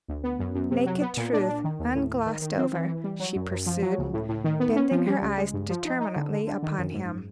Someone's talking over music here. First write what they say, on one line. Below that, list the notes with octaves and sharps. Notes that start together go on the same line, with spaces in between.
"Naked truth, unglossed over," she pursued, bending her eyes determinately upon him.
D2
B3
F#2
F#2
C3
F#3
B3
A#2
D4
D4
D#3
D#2
A2
A2
D#3
D#3
C4
E3
E3
G3
F#3
F#2
F#2
F3
F#3
C#2
A2
A2
D#3
B3
C#4
F3
G3
C#2
G#3
G2
F3
D#4
D#4
D3
D3
D3
D#3
F#2
G#2